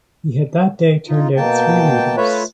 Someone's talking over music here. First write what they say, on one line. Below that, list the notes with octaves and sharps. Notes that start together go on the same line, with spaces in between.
He had that day turned out three readers.
D#4 F4
B2 A#3 G5 A5
A3 F4 B4 C#5 E5